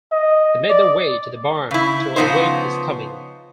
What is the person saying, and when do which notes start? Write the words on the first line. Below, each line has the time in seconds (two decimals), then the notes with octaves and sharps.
They made their way to the barn to await his coming.
0.12 D#5
0.70 D5
1.71 C#3 E4
2.16 C#3 F3 B3 D#4 C5